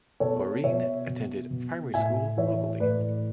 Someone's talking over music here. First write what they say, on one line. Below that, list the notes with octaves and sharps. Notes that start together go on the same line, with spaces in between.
Doreen attended primary school locally.
B2 A4 C#5
B2 C#5 E5
B2
B2
A2 E5 G#5
E3 C#5 E5
A2 B4 D5